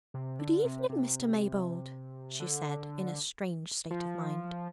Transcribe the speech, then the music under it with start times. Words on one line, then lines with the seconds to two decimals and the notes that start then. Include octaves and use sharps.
"Good-evening, Mr. Maybold," she said, in a strange state of mind.
0.14 C3
0.39 D3
0.64 C3
0.89 C3
2.40 D3
3.91 F3